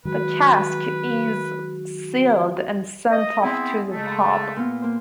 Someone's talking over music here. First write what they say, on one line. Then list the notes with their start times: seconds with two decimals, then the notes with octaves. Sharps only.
The cask is sealed and sent off to the pub.
0.05 D#3 F#3 G#3 F#4 B4
3.10 D#5
3.42 B3 C4 E4 G#4 C5 C6
3.92 C#3 G#3 A3
4.56 A#2 B3 F4
4.82 A#3 C5